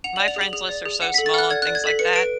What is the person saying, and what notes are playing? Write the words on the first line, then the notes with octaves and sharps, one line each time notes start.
My friends lists are so small on things like that,
F#5 F7
F#7
D5
F7
G#4 F#7
G#4 F7
D5
G#4
F#5 C#7
B6
A4
A6
F#5 F6 F#6
D5 G#6
F#6
D5
G#6
A4 B6
B4 C#7
B4 D7